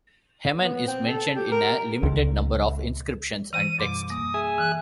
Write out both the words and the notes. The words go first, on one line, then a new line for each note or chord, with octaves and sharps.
Hemen is mentioned in a limited number of inscriptions and texts.
B3
C4
A4
G4
A#4
C#2
E3 C5 D#7
F#2 B2 G3 D6
A#3 D#6
G#4 E5 G#5
E3 F#6